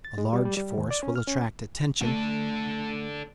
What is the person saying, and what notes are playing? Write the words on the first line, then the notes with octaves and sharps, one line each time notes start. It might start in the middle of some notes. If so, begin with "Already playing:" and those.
A large force will attract attention.
A6
G#3
G3
G3
G3
D#2
D5
C#4
F6
C#4
A3 D4 A4